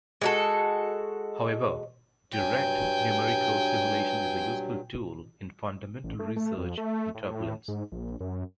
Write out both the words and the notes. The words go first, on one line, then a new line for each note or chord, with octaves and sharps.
However, direct numerical simulation is a useful tool in fundamental research in turbulence.
G#3 F#4 A4
G2 F#3 G5 G#5
A1
A3
A3
F2
A3
A2
G#2
A#1
F#2